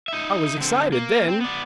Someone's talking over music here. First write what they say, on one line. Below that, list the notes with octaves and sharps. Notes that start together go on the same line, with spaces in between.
"I was excited then."
D#4 E5
D3 C4
A#3
C4
B3 D5